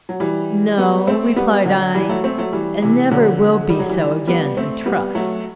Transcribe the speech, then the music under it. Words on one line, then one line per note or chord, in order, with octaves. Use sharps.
'No,' replied I, 'and never will be so again, I trust.'
F#3
E3 G3
G3 B3
A3 C4
G3 B3
D3 F#3
E3 G3
F#3 A3
A3 C4
F#3 A3
E3 G3
C3 E3
D3 F#3
G3
F#3
E3 G3
G3 B3
A3 C4
G3 B3
F#3 A3